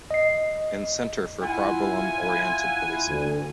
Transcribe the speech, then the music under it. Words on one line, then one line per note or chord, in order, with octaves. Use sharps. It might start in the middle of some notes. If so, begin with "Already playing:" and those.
In Center for Problem-Oriented Policing.
D#5 C7
E4 F4 F#5 G#5
D2